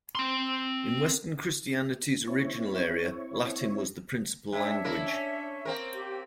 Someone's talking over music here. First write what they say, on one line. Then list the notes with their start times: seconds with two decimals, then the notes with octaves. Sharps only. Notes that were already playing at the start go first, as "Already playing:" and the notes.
In Western Christianity's original area Latin was the principal language.
0.15 C4 C6
2.27 C4 E4 C#5
4.53 G3 D4 C#5 E5
4.84 A#3 E4 A#4
5.07 C#4
5.65 A#3 C4 A#4
5.93 G4